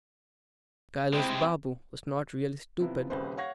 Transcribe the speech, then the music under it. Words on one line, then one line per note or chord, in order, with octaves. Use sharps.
Kailas Babu was not really stupid.
C3 G#3 C4 E4 G5
C3 F3 B3 E4
D#1 C2 C#3 B4 C5
C#5 F5 F#5 C#6 G#6 A#6